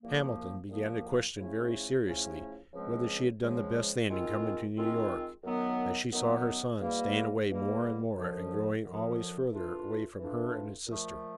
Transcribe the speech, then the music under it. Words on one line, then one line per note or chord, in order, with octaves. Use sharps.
Mrs. Hamilton began to question very seriously whether she had done the best thing in coming to New York as she saw her son staying away more and more and growing always farther away from her and his sister.
C2 A#2 F3 A#3
C2 A#2 F3 A#3
C#3 F3 A3 C#4 E4
C#3 F3 A3 C#4 E4
C#2 C#3 F3 G#3 C4
C#2 C#3 F3 G#3 C4
D#3 G#3 C4 F4
D#3 G#3 C4 F4
F#2 D#3 F#3 B3
F#2 D#3 F#3 B3
E2 B2 G3 A#3
E2 B2 G3 A#3
F#2 D3 F3
F#2 D3 F3
E3 A3 D4 F4
E3 A3 D4 F4
A#2 F3 A3